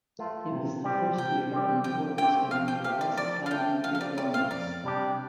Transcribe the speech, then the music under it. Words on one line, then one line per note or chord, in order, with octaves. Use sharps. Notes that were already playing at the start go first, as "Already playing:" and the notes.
It was the first year an award was given for Best Comedy for Grownups.
A3 F4
C3
G3 C4 G4
C3 G5
G3 C4 G4
F3 G5
A3 C4 G4 G5
F3 F5
G5
A3 C4 G4 F5
D5
F3 D5
F5
A3 C4 G5
F3 F5
F5
D5
A3 C4 D5
F5
F2 D5
C3 G3 D4 G4